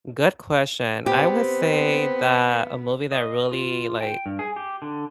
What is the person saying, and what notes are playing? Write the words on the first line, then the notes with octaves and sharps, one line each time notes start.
Good question. I would say that a movie that really, like
B3 C4 G4
D#5
F4
G5
G2
G#4
G4
D3